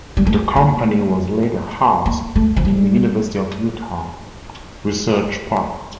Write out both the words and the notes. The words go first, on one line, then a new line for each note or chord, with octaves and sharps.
The company was later housed in the University of Utah Research Park.
G3
A3
A#3
A#3
A3
F3
G3